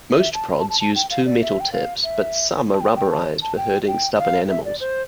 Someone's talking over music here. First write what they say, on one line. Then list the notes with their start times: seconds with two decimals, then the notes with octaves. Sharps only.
Most prods use two metal tips, but some are rubberized for herding stubborn animals.
0.19 E5
0.34 A5
0.60 A5
0.70 A5
0.80 A5
0.95 G5
1.11 F5
1.26 D5
1.42 E5
1.60 G5
1.72 F5
2.04 E5
2.73 A5
2.81 G5
2.96 G5
3.11 A5
3.42 A5
3.57 G5
3.88 G5
4.19 F5
4.49 E5
4.65 D5
4.80 C5